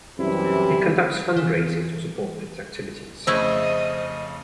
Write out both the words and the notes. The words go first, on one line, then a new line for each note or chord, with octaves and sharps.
It conducts fundraising to support its activities.
F#2 C3 E3 G3 E4
E3
F2 C#3 A3 E4 C5 D#5 E5